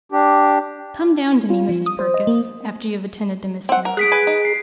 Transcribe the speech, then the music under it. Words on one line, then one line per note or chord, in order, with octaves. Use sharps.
'Come down to me, Mrs. Purkis, after you have attended to Miss Hale.
D4 G4
F4
F3
D#6
C5
D#5
A#3
C4 F#5
A#4
G#4 F#6 B6 D7
B4 G#5
D#4
C7